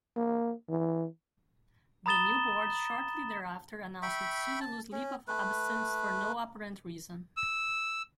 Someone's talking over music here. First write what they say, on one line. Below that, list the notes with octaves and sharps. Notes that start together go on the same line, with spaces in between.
The new board shortly thereafter announced Suzzallo's "leave of absence" for no apparent reason.
A#3
E3
A#5 B5 D#6 A6 E7 G7
E5 G5 B5 C#6
A5
C#4
A3 B4
E6